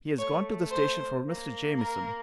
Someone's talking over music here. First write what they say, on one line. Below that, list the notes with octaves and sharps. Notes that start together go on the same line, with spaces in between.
He has gone to the station for Mr. Jamieson.
A3 C#5
C5
A#3
A#4